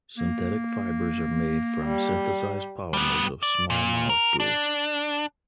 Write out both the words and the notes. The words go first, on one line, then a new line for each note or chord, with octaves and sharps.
Synthetic fibers are made from synthesized polymers of small molecules.
A#3
G3
G3 B3
D5
A#2
A#4
D4